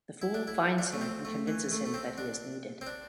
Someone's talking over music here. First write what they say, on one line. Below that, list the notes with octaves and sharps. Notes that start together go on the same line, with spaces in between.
The Fool finds him and convinces him that he is needed.
E4
D4
E4
D4
A3
C4
A3
E3
A3
A3
C4
D4
C4
D4